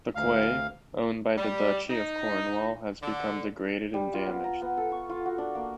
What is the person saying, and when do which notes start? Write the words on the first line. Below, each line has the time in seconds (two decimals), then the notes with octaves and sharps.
The quay, owned by the Duchy of Cornwall, has become degraded and damaged.
0.15 D2 F5
1.38 G3
1.90 D#4
3.02 D3
3.94 G3
4.14 F4
4.27 B3
4.44 A#5
4.62 B3
4.77 A4
4.92 C#6
5.09 F4
5.26 F#4
5.38 D4
5.55 A#3